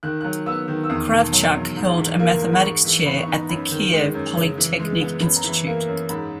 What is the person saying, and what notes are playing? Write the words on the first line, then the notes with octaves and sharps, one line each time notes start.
Kravchuk held a mathematics chair at the Kiev Polytechnic Institute.
D#3 F#6
F#6
F#3
B3 E6
D#3
E6
E2 D#6
B2
F#3
E2
G#2
E3
A#3
G#2
B5
G#2 C#6
E3
B3 B5
C#6
D#4 B5
F#2 B5
D#3
G#3
F#2
C#3
E3
G#3
B3
F#2 B5
A#5
E3
B5
A#3
F#2
G#2 B5